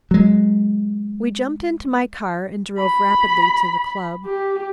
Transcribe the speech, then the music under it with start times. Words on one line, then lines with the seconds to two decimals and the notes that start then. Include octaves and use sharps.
We jumped into my car and drove rapidly to the club.
0.11 F#3 G#3
2.79 B5
4.25 G4